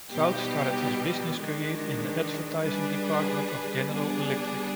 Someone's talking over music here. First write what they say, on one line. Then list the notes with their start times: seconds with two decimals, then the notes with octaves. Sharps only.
Trout started his business career in the advertising department of General Electric.
0.10 B2 G3 B3 D#4 G4
1.38 D#3 G#3 D4
2.64 G3 D4 G#4 B4
3.91 G3 B3 D4 G#4